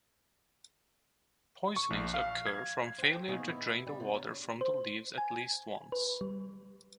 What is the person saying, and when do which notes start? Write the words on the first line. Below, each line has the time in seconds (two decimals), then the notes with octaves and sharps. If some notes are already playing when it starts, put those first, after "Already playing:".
Poisonings occur from failure to drain the water from the leaves at least once.
1.76 C#6
1.90 A#1
2.14 F5
2.47 G#6
2.98 C5 G5
3.28 B2 D#3 A#3 F#4 G#4
3.48 B3 E4
3.87 G3
4.00 C3 B3
4.13 E2 D3 C#5
4.61 C5
5.18 G#5
5.92 B4
6.21 G3